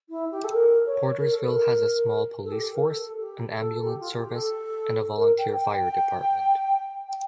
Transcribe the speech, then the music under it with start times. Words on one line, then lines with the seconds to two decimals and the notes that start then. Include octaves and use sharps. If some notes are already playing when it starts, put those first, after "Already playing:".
Portersville has a small police force, an ambulance service, and a volunteer fire department.
0.10 E4
0.32 G4
0.44 A4
0.53 A#4
0.87 C#5
1.19 A#4
1.33 A4
1.47 A#4
2.45 A4
2.52 G4
2.74 A#4
2.85 A4
3.19 G4
3.51 A4
3.85 G4
4.00 F4
4.13 F4
4.17 G4
4.34 A4
5.17 A#4
5.39 G5
5.61 G5
5.82 G5
7.08 G5